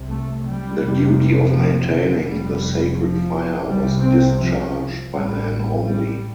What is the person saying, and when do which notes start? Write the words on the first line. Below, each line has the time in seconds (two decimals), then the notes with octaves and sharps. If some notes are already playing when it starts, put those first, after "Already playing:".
The duty of maintaining the sacred fire was discharged by men only.
Already playing: C2 C3
0.08 A3
0.44 G3
0.80 F1 F2 C3
1.52 F3
1.88 D3
2.23 F1 F2 C3 G3
2.96 F3
3.67 C2 G3
3.72 C3
4.03 C4
4.40 F3
5.11 A1 A2 G3
5.83 G3